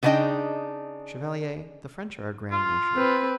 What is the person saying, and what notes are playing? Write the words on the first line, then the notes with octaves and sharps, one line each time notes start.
Chevalier, the French are a grand nation.
C#3 B3 D4 D#4 D#5 G5
F4
C4 B4